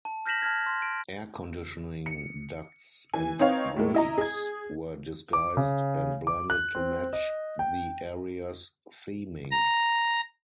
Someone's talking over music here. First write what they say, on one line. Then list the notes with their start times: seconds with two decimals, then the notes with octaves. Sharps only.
Air conditioning ducts and grates were disguised and blended to match the area's theming.
0.05 A5
0.26 F6 G6 A#6 B6 E7 F#7
0.42 A5 F6 G#6
0.66 C6
0.82 D7
2.06 C#7
3.14 E3 G#5
3.39 C4 D#4 B4 C#5 F5
3.76 A2 G#3 A#3
3.95 E4 D#5 A#5
4.18 G#4 G#6
5.33 D6
5.57 C#3
6.27 D6
6.50 F#6
6.75 C4
7.13 D#5
7.59 G5
9.51 A#5